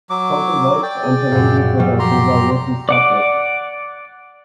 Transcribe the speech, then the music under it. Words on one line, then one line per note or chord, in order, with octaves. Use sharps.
Shorter works and television productions are listed separately.
F#3 D6
D5 G5
G#4
F#2 A#2
F#2 F#3 G3
G4 A#5 C6
D5 F#5 D6